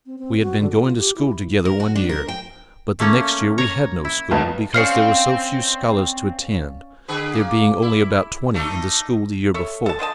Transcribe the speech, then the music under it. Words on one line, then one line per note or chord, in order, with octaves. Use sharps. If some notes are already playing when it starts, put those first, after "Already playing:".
We had been going to school together one year; but the next year we had no school, because there were so few scholars to attend, there being only about twenty in the school the year before.
C4
C4
F#4
D3
A3
F4
G4
E4
A#4
F#4
D4
A#4
G5
A3 A#3 C#4
C#5 A#5
E4
F1 B1 F2
C4 C#4 C5 D5 F5 F6 C7 C#7
D3 G#4 B4
A#3
E4
A3 D4 D#4
A4 C#5 E5
A4 A5
D3 F3 D#5 A5